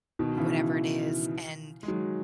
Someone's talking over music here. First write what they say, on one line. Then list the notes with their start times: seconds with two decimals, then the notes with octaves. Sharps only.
whatever it is, and
0.19 B2 D#3
0.37 C#3 E3
1.83 G#3
1.88 D#3 F#3